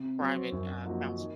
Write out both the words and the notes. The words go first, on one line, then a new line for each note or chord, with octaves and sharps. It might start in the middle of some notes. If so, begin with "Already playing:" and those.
private, uh, counselor.
Already playing: C3
F#3 C4
F#2
F3 A#3 D#4 F#4
D#3